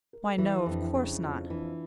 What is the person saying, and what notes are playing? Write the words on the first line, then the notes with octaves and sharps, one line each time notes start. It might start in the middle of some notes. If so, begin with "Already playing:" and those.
'Why no, of course not.'
A#4
A4
E3 G4
F2 D4
E4
C#3
F2 F4
E3 D4